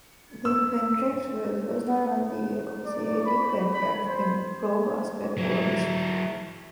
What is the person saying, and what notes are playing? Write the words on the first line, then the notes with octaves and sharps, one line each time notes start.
Their contracts were the first multi-year officiating contracts in pro basketball history.
E6
B3
D5
B5
B5
C5
F#3 E4